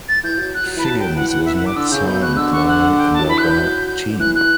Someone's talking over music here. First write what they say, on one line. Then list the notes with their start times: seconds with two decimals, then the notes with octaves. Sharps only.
Figgins was not signed by another team.
0.08 A6
0.23 E3 G6
0.39 F#3
0.54 F#6
0.66 F#3
0.77 E3 B5
0.84 A5
0.89 F#3
0.99 G5
1.15 E3 F#5
1.30 F#5
1.45 E5
1.56 F#5
1.66 D6
1.76 D3 E6
1.91 C#3 G6
2.06 B2 G6
2.22 B2 F#6
2.36 D3 E6
2.52 C#6
2.67 F#5
2.97 G5
3.13 A5
3.20 F#3
3.28 E3 B5
3.38 F#6
3.43 G6
3.59 F#3
4.11 D3
4.19 E3 F#6
4.35 F#6